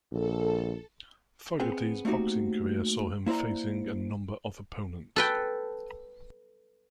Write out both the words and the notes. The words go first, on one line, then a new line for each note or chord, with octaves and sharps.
Fogerty's boxing career saw him facing a number of opponents.
A#1 A4
B3 C4 G#4 G5
A3 A#3 C4 D#4 F#4 G4
A#3 E4 C5 D5 A#5
A4 B4 G5